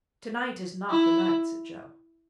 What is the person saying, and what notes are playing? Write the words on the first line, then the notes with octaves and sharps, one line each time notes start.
"To-night is not the night," said Joe.
E4